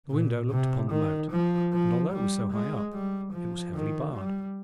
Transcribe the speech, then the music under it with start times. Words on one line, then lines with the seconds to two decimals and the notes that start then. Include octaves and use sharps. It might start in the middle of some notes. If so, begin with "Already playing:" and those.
The window looked upon the moat, and although it was so high up, it was heavily barred.
0.11 A#2
0.51 C3
0.91 D#3
1.31 F3
1.72 F3
2.12 G3
2.53 G#3
2.93 G3
3.33 F3
3.74 D#3
4.14 G3